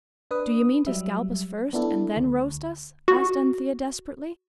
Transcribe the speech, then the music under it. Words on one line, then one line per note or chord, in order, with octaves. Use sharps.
'Do you mean to scalp us first and then roast us?' asked Anthea desperately.
D4 B4 D#6
F#3 G3 E5
B3 D4 E4 A4
D2
F#4